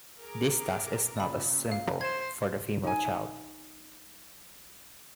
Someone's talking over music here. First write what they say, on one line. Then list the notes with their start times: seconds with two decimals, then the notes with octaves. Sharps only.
This task is not as simple for the female child.
0.21 G#4 A#4 D6
1.17 A#2 C#3 D5 B5
1.72 F5
2.01 C5 G#6 E7
2.84 D#4 G#5